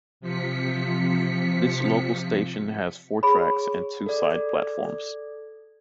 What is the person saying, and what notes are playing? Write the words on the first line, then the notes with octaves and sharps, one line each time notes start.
This local station has four tracks and two side platforms.
C3 F3 B6 C#7
G#4 C#5 B5
A4 D5